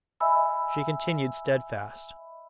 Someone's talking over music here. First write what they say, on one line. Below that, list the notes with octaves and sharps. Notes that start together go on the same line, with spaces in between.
She continued steadfast.
D#5 E5 G#5 B5 E6